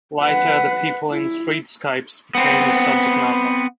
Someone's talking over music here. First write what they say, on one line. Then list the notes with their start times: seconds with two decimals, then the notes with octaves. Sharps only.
Later the people in streetscapes became his subject matter.
0.22 B4 F#5
1.12 E4
2.35 B3 C4